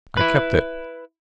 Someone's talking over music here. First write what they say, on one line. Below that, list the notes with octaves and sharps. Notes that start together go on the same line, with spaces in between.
"I kept it."
E4 B4